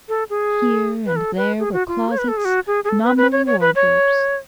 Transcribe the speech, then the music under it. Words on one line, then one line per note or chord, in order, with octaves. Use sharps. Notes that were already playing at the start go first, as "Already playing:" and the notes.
Here and there were closets, nominally wardrobes.
A4
G#4
B4
A4
B4
G#4
F#4
F4
C#5
B4
A4
G#4
F#4
G#4
G#4
A4
B4
B4
C#5
C#5
B4
C#5